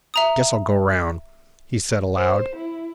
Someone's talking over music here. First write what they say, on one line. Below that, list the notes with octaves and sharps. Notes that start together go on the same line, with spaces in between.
Guess I'll go round,' he said aloud.
E5 A#5 D#6
C5
E4